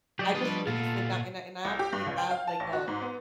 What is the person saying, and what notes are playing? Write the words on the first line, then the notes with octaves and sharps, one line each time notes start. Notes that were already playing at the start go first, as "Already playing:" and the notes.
I just really sit down and I and I, actually, have, like, a
F#3 G4 D5 D#5
F3 G3 D4 B4 D#5
A#2 B3 F4 A4
C2
G4
G2
C#2
G5
F5
A5
A1
F#4
G#2
B3